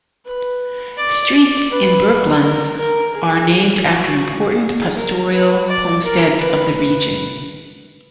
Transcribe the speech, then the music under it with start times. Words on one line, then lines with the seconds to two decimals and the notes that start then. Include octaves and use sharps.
Streets in Bourkelands are named after 'Important pastoral homesteads of the region'.
0.26 B4
0.98 D5
1.34 D5
1.71 B4
2.42 A#4
2.78 A#4
3.14 G#4
3.87 F#4
4.59 G#4
4.95 A#4
5.32 B4
5.67 D5
6.04 A#4
6.40 B4
6.76 B4